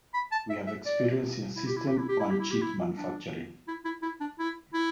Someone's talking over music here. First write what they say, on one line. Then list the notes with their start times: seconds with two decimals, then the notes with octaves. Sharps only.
We have experience in system-on-chip manufacturing.
0.14 B5
0.32 A5
0.50 E5
0.67 E5
0.86 D5
1.56 E4
1.66 G4
1.76 E4
1.87 G4
1.98 E4
2.09 G4
2.20 E4
2.30 G4
2.40 E4
2.51 G4
2.61 E4
2.97 D4
3.68 E4
3.85 E4
4.02 E4
4.21 D4
4.39 E4
4.74 E4